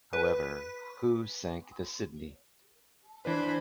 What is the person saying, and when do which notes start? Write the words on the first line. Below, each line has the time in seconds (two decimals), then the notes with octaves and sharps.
However, Who Sank the Sydney?
0.13 B4
3.25 E3 D4 B4 C5 B5